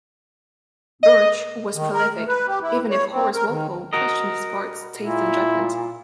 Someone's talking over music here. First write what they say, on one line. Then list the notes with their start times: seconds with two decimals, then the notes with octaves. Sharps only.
Birch was prolific, even if Horace Walpole questioned his parts, taste and judgment.
1.03 D#5
1.75 D#3
1.94 A#4
2.15 A3
2.27 B4
2.48 G4
2.62 E4
2.90 C#5
3.11 C4
3.34 A#4
3.50 D#3
3.93 F#4 A#4 D#5
5.00 A#2 E4